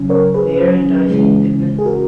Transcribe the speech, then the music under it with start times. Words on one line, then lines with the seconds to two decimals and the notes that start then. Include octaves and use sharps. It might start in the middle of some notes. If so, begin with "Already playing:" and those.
Mayor and Isaac Pitman.
Already playing: C#3 F#3 C#4
0.10 A#4 C#5
0.34 G#4 B4
1.10 C#3 E3 G#3 C#4
1.79 G#4
1.85 F#4 A#4